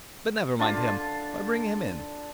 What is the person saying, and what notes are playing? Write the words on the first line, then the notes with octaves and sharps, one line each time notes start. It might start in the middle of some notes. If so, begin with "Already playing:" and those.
But never mind him, why bring him in?
D3 D4 F4 A5